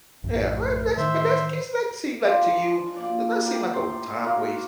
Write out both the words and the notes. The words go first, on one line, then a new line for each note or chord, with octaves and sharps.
Yeah, well, but that's but that's case, like seem like to you does that seem like a w time waste,
A#1 F#2 A2
D#3 E3 C5 E5
F3 G#3 D4
A#2 D5
A#4 D5 G5
A2 C6
A#3 F4 F#4 A#4